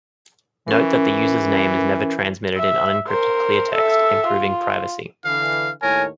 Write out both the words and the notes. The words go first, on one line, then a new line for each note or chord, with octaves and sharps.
Note that the user's name is never transmitted in unencrypted clear text, improving privacy.
E3 C#4 A#4
E5
A#4 C5
A4 E5
F4
D3 E3 F5
D#2 A2 A#4 C#5 G#5